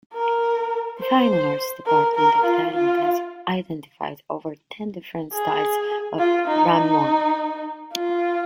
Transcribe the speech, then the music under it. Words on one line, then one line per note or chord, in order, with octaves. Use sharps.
The fine arts department of Thailand has identified over ten different styles of "ramwong".
A#4
C5
A#4
A#4
F4
F4
G#4
F4
D#4
D#4
F4